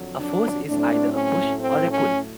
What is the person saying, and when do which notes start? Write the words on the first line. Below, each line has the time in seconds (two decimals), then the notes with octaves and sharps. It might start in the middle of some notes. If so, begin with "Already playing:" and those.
A force is either a push or a pull.
Already playing: F2 D3 F#3
0.20 D4
0.67 A2 F#3 A3 C4 D4
1.13 C#4
1.60 C4
1.91 C#4